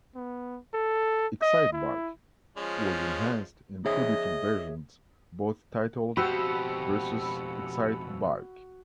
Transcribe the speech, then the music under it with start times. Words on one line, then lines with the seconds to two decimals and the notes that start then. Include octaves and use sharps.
"Excitebike" was enhanced in two different versions, both titled "Versus Excitebike".
0.15 B3
0.74 A4
1.42 D#5
1.73 E4
2.57 F3 G#3 C#4
3.86 G#4 C#5 D#5 E5
6.17 F2 B2 F#4 G4 C5 B5 E6 C#7